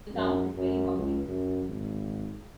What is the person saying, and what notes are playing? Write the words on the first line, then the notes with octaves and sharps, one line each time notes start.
The town is very mountainous.
F#2
F#2
C#2
F#2
G#1